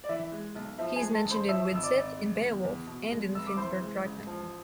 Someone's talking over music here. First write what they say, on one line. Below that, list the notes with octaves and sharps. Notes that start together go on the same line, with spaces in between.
He is mentioned in "Widsith", in "Beowulf", and in the Finnsburg Fragment.
D5
E3 E4 E5
G#3
B1
F3 E4 E5
G#4 G#5
G#3
A4 A5
A1
C5 C6
F3 E5 E6
G#1 E6
D5 D6
G#1
G#3
E2
E2
B2
G#3
F1 E6
D6
E3 C5 C6
G#3
A1
F3